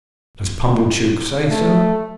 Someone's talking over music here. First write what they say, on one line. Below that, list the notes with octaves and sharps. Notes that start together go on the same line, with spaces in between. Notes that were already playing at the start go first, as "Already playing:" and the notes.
"Does Pumblechook say so?"
A3